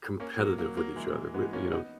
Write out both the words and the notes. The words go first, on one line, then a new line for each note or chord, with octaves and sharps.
competitive with each other, with, you know,
A#3 C#4
F#3 A#3
F#3 A#3
F#3 A#3
E3 G#3
G#3 B3
A#3 C#4
B3 D#4